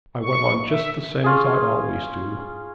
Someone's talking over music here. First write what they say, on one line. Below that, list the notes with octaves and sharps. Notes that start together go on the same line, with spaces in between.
I went on just the same as I always do.
C#6
E5
C#4 F4 G#4